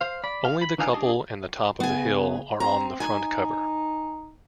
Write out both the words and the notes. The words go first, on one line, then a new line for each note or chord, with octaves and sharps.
Only the couple and the top of the hill are on the front cover.
C5 F5
D5 B5
F5
B5
E3 D4 D#4 F5 G#5
D4 G4 G#4 D#5 A5
C#3 B3 G#5
C4 A#5
D#4 G#5